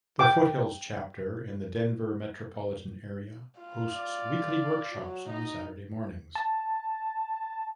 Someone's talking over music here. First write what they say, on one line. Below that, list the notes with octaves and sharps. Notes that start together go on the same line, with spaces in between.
The Foothills Chapter in the Denver metropolitan area hosts weekly workshops on Saturday mornings.
G5 D6
F4
D5
F#3
D#4 D#5
A5